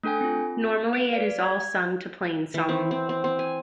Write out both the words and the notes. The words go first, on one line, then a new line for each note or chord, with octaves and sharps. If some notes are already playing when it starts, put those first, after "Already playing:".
Normally it is all sung to plainsong.
A3 D4 A4 G5 G#5
C4 F4
B4 D7
D5 F5
G#6
E3
C4
C4
C4
C4
G#5